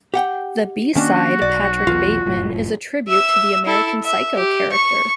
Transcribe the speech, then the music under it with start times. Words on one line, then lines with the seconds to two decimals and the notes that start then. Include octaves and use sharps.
The B-side, "Patrick Bateman", is a "tribute" to the "American Psycho" character.
0.14 G4 F#5 G5
0.95 D#3 A#3 C#4 D4 F#4
1.42 B1 D5
1.87 B1 E2 B2 F4
2.25 F1 F#2 A2
3.08 E5 E6
3.65 E4 A4
4.03 E5
4.34 G4
4.72 C#6 C#7